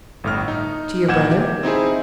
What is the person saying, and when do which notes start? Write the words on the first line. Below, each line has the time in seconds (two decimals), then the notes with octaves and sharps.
"To your brother?"
0.24 G1 A2 F6
0.48 D#4
1.08 A#2 E3 F#5 G6 G#6 E7
1.31 G4
1.63 C4 D#4 E4 G#4